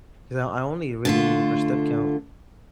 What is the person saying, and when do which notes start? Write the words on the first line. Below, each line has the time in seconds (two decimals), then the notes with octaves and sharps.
'cause I o I only really need it for step count.
1.05 D3 A3 F4